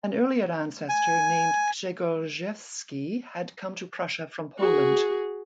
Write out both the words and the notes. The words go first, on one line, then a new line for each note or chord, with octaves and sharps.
An earlier ancestor named Grzegorzewski had come to Prussia from Poland.
G#5
F#4 G#4